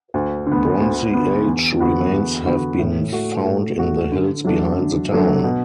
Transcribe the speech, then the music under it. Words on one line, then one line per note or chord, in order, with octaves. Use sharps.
Bronze Age remains have been found in the hills behind the town.
D2
D3
B3
D2
D3 B3
E2
D3 B3 F#4
E2
D3 B3 F#4
A2
A3 F#4
A2
A3 F#4
D3
F#3 A3 D4 A4
D3
F#3 A3 D4 A4
B2